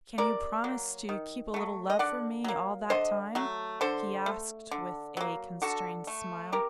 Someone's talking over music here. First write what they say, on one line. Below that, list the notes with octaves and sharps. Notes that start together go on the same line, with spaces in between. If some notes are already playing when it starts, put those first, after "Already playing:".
'Can you promise to keep a little love for me all that time?' he asked with a constrained smile.
C3 A#4 D5
F#3 A#3
D#3
F#3 A3
D#5
D3 D5 F#5
F#3 A#3
D3 C5 D#5
F#3 A3
D3 A4 C5
A3
D3
F#3 A#3
D3 F#4 A4
A3
C3 G4 A#4